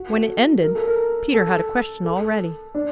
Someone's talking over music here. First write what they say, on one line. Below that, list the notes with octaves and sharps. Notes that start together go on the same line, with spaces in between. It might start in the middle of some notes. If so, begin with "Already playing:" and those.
When it ended Peter had a question all ready.
Already playing: F#4
A4
A#4
A4
A#4
A4
A4
D4